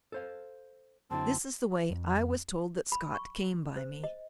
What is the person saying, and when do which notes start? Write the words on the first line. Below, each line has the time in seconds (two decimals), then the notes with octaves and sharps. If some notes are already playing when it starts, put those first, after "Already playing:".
This is the way I was told that Scott came by me.
0.12 A4 C5 F5
1.11 F#2 D3 C4 E4 A5
1.90 F2
2.92 B5
3.14 C#6
3.76 C5
4.04 D#5